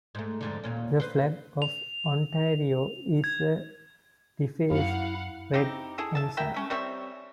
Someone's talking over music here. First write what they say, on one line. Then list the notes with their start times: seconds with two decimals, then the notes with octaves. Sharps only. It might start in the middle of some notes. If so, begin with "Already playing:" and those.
The flag of Ontario is a defaced Red Ensign.
0.15 G#2 A3
0.41 F2 G#2 D3
0.64 D#2 A#2 C#4
1.00 B4 C5
1.62 F7
3.24 G#6
4.71 F#2 E4 F5 F#5
5.54 C4 D#4 E4 G4
5.98 E4 G#4 A4
6.15 E5 A5
6.37 E4 A#4 E5 G5
6.54 A3 C#4 E5
6.70 G3 C4 C#5 E5